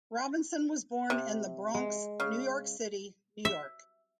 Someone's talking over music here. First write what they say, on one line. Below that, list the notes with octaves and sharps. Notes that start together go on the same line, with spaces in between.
Robinson was born in the Bronx, New York City, New York.
C3
G#3
C#3
E5